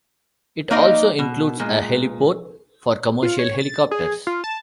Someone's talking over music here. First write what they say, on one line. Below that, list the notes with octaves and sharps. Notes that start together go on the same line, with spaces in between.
It also includes a heliport for commercial helicopters.
A#3 D#4 D5 D#5 F5
B2
A#2 G#3
F4
C#5
A6
G#4
F4
A5